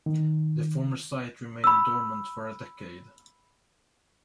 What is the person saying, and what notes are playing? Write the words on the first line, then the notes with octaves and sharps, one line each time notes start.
The former site remained dormant for a decade.
D#3
B5 E6